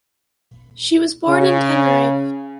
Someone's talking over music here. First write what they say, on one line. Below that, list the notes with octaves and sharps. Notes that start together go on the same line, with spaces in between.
She was born in Tenerife.
C#3